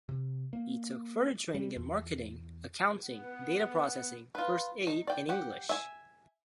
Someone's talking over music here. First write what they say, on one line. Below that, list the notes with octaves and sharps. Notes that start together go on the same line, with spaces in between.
He took further training in marketing, accounting, data processing, first aid and English.
C3
A#3
G3
E2
B3 F#5
F4 B4
D#4
D5 G5
G4 F#5
E5 G#5